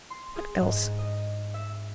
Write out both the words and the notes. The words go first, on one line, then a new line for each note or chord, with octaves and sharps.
What else?
C6
G#4
G#2
D#5
E5